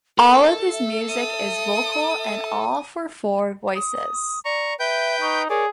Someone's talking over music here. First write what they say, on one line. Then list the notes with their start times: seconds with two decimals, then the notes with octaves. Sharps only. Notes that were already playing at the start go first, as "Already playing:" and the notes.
All of his music is vocal, and all for four voices.
0.18 A4 A#4
0.72 E5
1.08 E5 D#6
2.19 E5
3.75 D#6
4.45 D5 A#5 C#6
4.80 B4 E5 G5 G6
5.21 D#4 C#6
5.50 G#4 A#4 C#5 D5